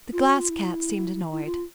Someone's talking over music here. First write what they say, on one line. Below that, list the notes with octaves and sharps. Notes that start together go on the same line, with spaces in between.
The Glass Cat seemed annoyed.
F4
F#4
F4
E4
E4
F4